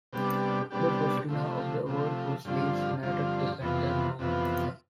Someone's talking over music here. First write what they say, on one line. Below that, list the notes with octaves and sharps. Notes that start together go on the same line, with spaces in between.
The first winner of the award was Leeds United defender Norman Hunter.
C3 G3 B3 D4 G4
C3 G3 B3 D4 G4
C3 F3 A3
C3 F3 A3
G2 D3 F3 C4 F4
G2 D3 F3 C4 F4
F2 C3 E3 B3 F4
F2 C3 E3 B3 F4